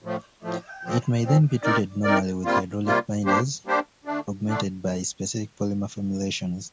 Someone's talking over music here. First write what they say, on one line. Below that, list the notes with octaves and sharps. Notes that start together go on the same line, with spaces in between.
It may then be treated normally with hydraulic binders, augmented by specific polymer formulations.
A2 F3 A3
A2 F3 A3
A#2 F3 C4
A#2 F3 C4
C4 D#4 A#4 D5
C4 D#4 A#4 D5
C3 G3 A#3 F4
C3 G3 A#3 F4
G3 A#3 D4 G4 C5
G3 A#3 D4 G4 C5
D3 A3 D4
D3 A3 D4